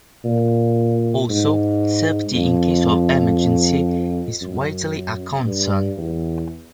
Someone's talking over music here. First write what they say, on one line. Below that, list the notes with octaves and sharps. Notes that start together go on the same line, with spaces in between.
Also, safety in case of emergency is widely a concern.
A#2
G#2
F2
F#2
G2
E2